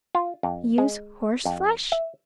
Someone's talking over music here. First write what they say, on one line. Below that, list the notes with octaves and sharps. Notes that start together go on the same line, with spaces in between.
Use horseflesh?
F4
F2
G#3
F2
E5